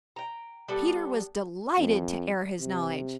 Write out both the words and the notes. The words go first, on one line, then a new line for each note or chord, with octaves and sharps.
Peter was delighted to air his knowledge.
G5 A#5
G3 B3 A4
F2
C3